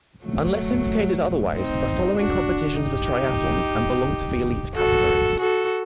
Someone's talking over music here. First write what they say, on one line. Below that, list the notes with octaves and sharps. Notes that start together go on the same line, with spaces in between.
Unless indicated otherwise, the following competitions are triathlons and belong to the "Elite" category.
F#3 A3
C4 D#4
D4 F#4
D#4 G4
F#4 A4
F#4 A4